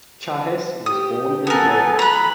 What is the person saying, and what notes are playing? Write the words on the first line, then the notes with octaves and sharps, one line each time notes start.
Chajes was born in Brody.
G4 D#6
B3 A4 A#4 G#5
A#5 B5 F#6